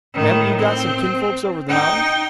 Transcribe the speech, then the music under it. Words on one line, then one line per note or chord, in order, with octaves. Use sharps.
"Haven't you got some kinfolks over the mountain?"
A2 D#3
C4
D#4 G5